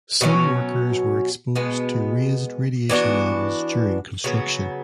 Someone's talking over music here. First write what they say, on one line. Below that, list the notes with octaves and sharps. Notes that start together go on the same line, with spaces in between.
Some workers were exposed to raised radiation levels during construction.
B2 F#3 A3 C#4
B2 G#3 B3
E3 B3 D4 F#4
C#3 F#3 B3